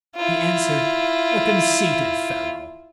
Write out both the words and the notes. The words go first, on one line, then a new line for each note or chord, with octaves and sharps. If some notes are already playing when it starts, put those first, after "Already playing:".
He answered, 'A conceited fellow.
E4 F4